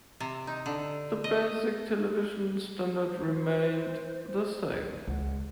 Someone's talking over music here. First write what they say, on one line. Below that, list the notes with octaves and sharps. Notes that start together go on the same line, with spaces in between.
The basic television standard remained the same.
C3
D#4
D3
D#5
C5
C#2 F#5